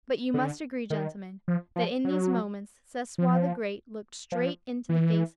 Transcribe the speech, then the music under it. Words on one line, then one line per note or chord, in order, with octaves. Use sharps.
But you must agree, gentlemen, that in these moments Sesoi the Great looked straight into the face of death.
D3
D#3
F3
F3
F#3
F3
F3
E3